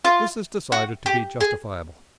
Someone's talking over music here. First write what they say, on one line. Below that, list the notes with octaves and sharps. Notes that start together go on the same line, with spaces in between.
This is decided to be justifiable.
F4
F#4
G4
G#4